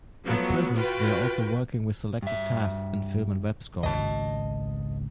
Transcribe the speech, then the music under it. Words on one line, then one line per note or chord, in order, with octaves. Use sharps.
At present, they are also working with selected tasks in film and web scoring.
F3 F#3 A3 B3
F4 F#4 B4 G5
G2 E5
G#1 C#2 C#3 D#5 A5